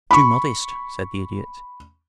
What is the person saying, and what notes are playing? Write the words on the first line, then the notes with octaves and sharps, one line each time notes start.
"Too modest," said the Idiot.
B5 C#6